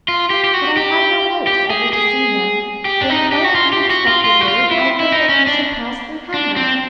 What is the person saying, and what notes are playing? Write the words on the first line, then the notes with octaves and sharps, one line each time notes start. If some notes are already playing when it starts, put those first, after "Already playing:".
But I had no hopes ever to see him, when quite unexpectedly I heard that he should pass through Hamburg.
F4
G4
G4
F#4
G4
G4
G#4
G#4
G4
D4
D#4
G4
F#4
F4
G4
F#4
F4
F4
F#4
F4
E4
E4
D#4
C#4
D4
D4
C4